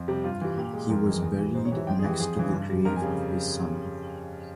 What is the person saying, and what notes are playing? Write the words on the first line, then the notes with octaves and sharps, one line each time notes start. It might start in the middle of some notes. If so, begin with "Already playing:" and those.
He was buried next to the grave of his son.
Already playing: F2
C3 G3
G2 F4
E3 G3
A#2 G4
G#3
F2 A#4
E3 G#3
E2
E3 G3
G#2 C5
C#5
E3 G3 E5
F2 G5
G#4
E3 G3 G4
F2 G#4
C#3 E3
G2
G3
F2 A#4
G#5
C#3 G3